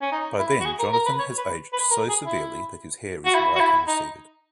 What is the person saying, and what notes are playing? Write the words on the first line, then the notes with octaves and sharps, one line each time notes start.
By then, Jonathan has aged so severely that his hair is white and receded.
C#4
D#4
E4
F#4
G#4
A#4
A#4
B4
C#5
B4
B4
A#4
G#4
E4
F#4
E4
F#4
E4
D#4